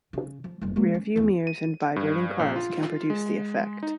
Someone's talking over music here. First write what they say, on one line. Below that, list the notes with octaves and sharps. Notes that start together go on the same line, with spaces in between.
Rear-view mirrors in vibrating cars can produce the effect.
C#3
F3
F#1 G2
G#3 A#3
C#4
E2 C#4
D#7
G2
A#1
F4
G#3
D#4